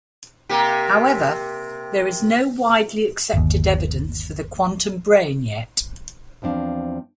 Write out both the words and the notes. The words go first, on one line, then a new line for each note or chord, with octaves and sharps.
However, there is no widely accepted evidence for the 'quantum brain' yet.
C3 A#3 G4
G1 D#2
E2 F3 C4 D4 F5